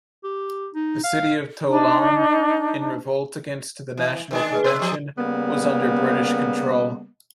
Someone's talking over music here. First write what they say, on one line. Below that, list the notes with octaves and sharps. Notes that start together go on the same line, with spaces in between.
The city of Toulon, in revolt against the National Convention, was under British control.
G4
D#4
F5
D4 D#4
E3
D#3 G#3 D4
G#4 B4
B2 B4 C6 E6
F3 C4
C#3 G3 A#3 B3